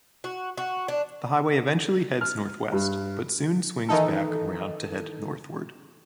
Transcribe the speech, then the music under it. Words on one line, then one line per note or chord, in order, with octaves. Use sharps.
The highway eventually heads northwest, but soon swings back around to head northward.
F#4
F#4
D4
F6
G2
D#3 E3 D#4 A4